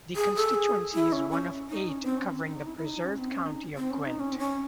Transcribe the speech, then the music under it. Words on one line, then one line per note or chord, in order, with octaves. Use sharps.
The constituency is one of eight covering the preserved county of Gwent.
G#4
A4
G#4
E4
C#4
C#4
D#4
C#4
C4
C#4
D#4
E4
E4
D#4
C#4
C4
C#4
D#4
C4
C#4
D#4
C#4
C4
C#4